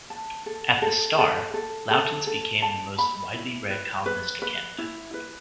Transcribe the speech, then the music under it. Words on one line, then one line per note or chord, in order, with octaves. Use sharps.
At the "Star", Lautens became the most widely read columnist in Canada.
A5
A4
A4
A4
A4
A4
A4
A5
B5
E4
B4
B4
B4
E4
B4